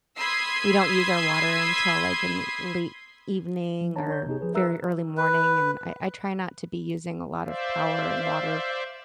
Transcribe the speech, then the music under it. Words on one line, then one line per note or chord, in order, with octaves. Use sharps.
we don't use our water until like in the late evening or very early morning, and I I try not to be using a lot of power and water
B5 C6 D#6 E6 G#6 C7
F3
D4 C#5 A5 A#5
C#5 G6
C3 B3 D#4 G4 G#4
F3 G#4 B4
A#4 B4 E5 A#5 E6 F#6
B4
C5 D5 E5 F5